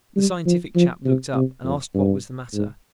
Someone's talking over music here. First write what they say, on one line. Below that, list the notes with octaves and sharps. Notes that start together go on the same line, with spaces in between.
The scientific chap looked up and asked what was the matter.
G3
F3
F3
C3
C3
F2
G2
G#2